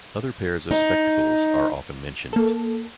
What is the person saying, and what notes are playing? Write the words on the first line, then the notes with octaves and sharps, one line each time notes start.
Other pairs of spectacles are often mentioned.
D#4
A#3 A4